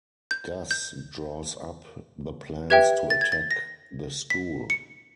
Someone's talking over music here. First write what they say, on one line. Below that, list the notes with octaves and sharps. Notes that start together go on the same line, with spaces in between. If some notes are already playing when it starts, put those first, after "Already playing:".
Gus draws up the plans to attack the school.
G6
G6
G4 B4 E5 G5 G#6
A6
G#6
A6
A#6
B6
C#7